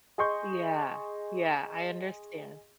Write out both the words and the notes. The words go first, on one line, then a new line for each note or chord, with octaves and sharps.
Yeah, yeah, I understand.
G#4 D#5 C6 C#6 G6